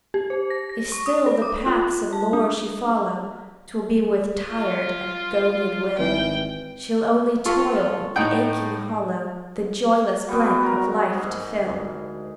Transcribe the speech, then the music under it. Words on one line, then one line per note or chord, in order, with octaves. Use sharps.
If still the paths of lore she follow, 'Twill be with tired and goaded will; She'll only toil, the aching hollow, The joyless blank of life to fill.
G4
C5
A#6
A#6
C#6
D#6
A4
D6
F4
A5
D4
F4
G#1 E3 G5
F4 A4 C#6
A2 D#4 F#5 G5
G3 B3 F#4
A#4
G#2
D2